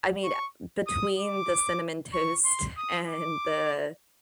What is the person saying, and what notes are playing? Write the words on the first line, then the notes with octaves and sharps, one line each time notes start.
I mean, uh, between the cinnamon toast and the
C#6
D#6
D6
C#6
C6
D#6
D6